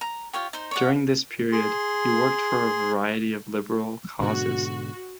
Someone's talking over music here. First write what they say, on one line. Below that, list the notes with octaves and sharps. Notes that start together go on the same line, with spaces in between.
During this period, he worked for a variety of liberal causes.
A#5
F4 G4 C#5 G5
D#4 C5
C#5 D5 F#5
G#4 C6
G#2 B2 D3 F#4